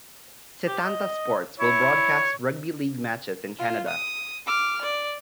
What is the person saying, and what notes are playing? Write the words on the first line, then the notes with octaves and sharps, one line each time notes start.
Setanta Sports will broadcast rugby league matches in Canada.
G4
D#5
E4 C#5
F4
D#6
D6 F6
D5